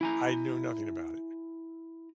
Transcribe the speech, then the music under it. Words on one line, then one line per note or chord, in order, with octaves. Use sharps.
I know nothing about it.
E4 G#5 A#5